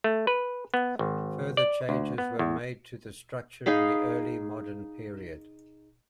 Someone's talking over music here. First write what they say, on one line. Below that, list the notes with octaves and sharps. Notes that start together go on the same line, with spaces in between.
Further changes were made to the structure in the early modern period.
A3
B4
B3
G#1
D5
D2
B3
E2
D#4 G#4 F5 B5